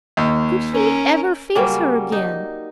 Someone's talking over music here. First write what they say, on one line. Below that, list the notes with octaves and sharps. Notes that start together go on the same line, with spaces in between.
Could he ever face her again?
D#2
C#4 A#4
C#3 F#3 G3 A#3
D#4